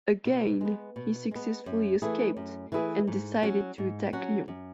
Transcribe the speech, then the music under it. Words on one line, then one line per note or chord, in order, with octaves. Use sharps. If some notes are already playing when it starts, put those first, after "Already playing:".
Again, he successfully escaped, and decided to attack Lyon.
B2
G#3 B3
B2
G#3 B3
F#2
E3 A3 E4 G#4
F#2
E3 A3 E4 G#4
G#2
F#3 C#4 F#4
G#2
F#3 C#4 F#4
F#2